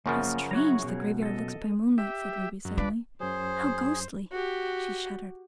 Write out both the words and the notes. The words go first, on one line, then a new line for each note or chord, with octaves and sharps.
"How strange the graveyard looks by moonlight!" said Ruby suddenly. "How ghostly!" she shuddered.
F#2 C#3 F3 A#3 F4 A#4
F#3 E4 F#4 G#4 C#5 A#5
B2 F#3
A4 D#5
G4 E5
F#2
D4 F4 B4 D5
F#2 F#3 G#4 C5
F#4 G4